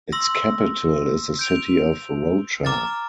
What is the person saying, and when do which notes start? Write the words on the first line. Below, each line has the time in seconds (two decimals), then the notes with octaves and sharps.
Its capital is the city of Rocha.
0.12 C6 E6 A#6
1.39 G6 D7 F7
2.65 A#5 D6 F6 A6